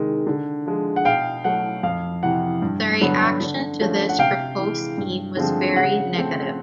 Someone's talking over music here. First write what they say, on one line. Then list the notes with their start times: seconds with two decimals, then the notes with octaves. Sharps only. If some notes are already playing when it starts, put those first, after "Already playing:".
The reaction to this proposed scheme was very negative.
Already playing: C3 D#3 G#3
0.27 D3
0.66 F3 G#3
0.96 F#5
1.05 B2 F5 G5
1.44 F#3 A3 F#5
1.83 F2 F5
2.23 C3 E3 F#5
2.62 G2
3.01 D3 F#3 B3
3.41 D3
3.80 F3 A3 C#4
4.09 F#5
4.19 C3 F5 G5
4.58 E3 G#3
4.98 G2
5.37 D3 F3 G#3 C4
5.76 C#3 F#5
6.15 F3 A3 C4